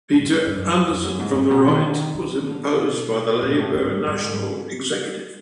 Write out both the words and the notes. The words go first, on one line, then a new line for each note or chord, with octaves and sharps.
Peter Anderson from the right was imposed by the Labor national executive.
G#2
G2
G2
F#2
F2
F#2
G#2
G2
B2
D#3
D3
D#3
D#3
D#3
D3
B2
A#2
G#2
A2
G#2
G2
G#2